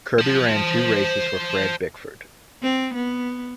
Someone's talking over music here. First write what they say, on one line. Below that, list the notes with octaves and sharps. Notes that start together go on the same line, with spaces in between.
Kirby ran two races for Fred Bickford.
C5 A5
C4
B3